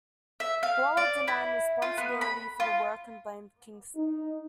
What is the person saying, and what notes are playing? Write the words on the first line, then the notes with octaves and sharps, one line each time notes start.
Gawler denied responsibility for the work and blamed Kingston.
E5
F5
D5
E4
F4
B3
B5
F4
D#4